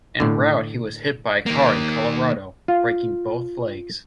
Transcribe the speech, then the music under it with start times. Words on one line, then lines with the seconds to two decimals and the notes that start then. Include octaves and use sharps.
En route he was hit by a car in Colorado, breaking both legs.
0.20 A2 D3
1.46 D#3 A#3
2.68 F4